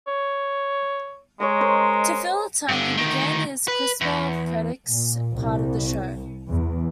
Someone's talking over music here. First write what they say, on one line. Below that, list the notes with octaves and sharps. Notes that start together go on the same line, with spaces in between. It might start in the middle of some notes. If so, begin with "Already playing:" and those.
To fill the time, he began his "Criswell Predicts" part of the show.
C#5
G#3 C#5 D#5 A#5
A#4 C5 D#5
G2 D3
D2 D#3
B4
E2
A#2
C2
E2